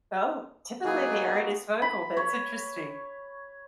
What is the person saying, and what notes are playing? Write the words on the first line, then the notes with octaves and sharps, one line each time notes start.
Oh, typically, they aren't as vocal, that's interesting.
F#3 A#3 B3 D#4 G#4
B5
C#5